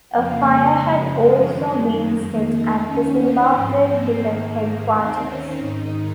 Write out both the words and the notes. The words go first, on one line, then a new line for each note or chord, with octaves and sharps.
A fire had also been set at the Zimbabwe Cricket headquarters.
F2 C#3 F3 A#3
G#3
F#2 C#3 F3
F#2 D#3 G#3
G#3
F2 D#3 A#3
D#4
D#2 D#3 C#4
C4
G#2 F3
A#3
G#2 D#3
D#2 D#3 C4
C#4
G#2 D#3 D#4